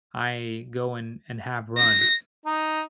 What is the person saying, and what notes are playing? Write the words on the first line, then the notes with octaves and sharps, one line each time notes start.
I go and and have runs,
A#6
D#4